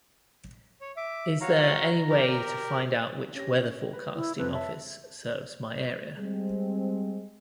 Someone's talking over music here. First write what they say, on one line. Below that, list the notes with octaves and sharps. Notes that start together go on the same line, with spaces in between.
Is there any way to find out which Weather Forecasting Office serves my area?
C#5
E5 D6
F#4 C#5 F5 A#5
G4 A#4
G#4
C#4 G4 A#6
B4
E4
F2 C3 B4
C#5 E5 A5
G3 G#3 C4